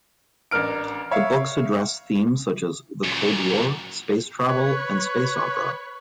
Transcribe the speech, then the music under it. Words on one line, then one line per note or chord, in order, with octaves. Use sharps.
The books address themes such as the Cold War, space travel, and space opera.
A1 D4 A#4 F6 D7
C#5 E5 F5
F#2 A#2
B4 C#5